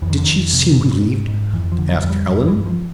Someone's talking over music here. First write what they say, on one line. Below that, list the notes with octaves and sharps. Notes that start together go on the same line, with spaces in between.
"Did she seem relieved?" asked Allan.
F2 E3
D#3
D3
F2 D#3
C3
G#2
G#2
G#2
F2 E3
F3
D3
F#3
F2
G3
G2 F#3
E3
G2
F3